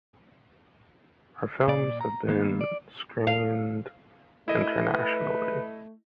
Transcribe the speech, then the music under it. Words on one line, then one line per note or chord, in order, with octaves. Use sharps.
Her films have been screened internationally.
A#2 D5
A#5
D#3 A#3 B3
D5
F5
A3 E4 D#5
B4